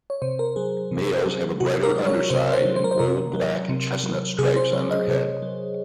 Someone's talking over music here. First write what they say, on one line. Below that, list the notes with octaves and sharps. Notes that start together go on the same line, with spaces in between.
Males have a brighter underside and bold black and chestnut stripes on their head.
C#5
C3 C5
A#4
F#3 G#4
C3
F#3
C3 F#4
A#4
F#3
C#5
C3 C5
C5
F#3
C5
A#4
C5
C3 A#4
F#3
C3
F#3
C3 G#4
C5
F#3 C#5
D#5
C3
F#3